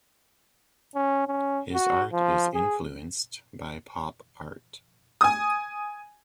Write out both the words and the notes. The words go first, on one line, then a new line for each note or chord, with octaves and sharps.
His art is influenced by Pop Art.
C#4
C#4
F#4
F3
G#4
G#5 D#6